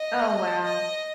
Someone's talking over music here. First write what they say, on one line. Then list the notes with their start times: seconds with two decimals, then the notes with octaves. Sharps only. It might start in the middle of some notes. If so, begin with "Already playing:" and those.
Oh, wow.
Already playing: D#5
0.64 D#5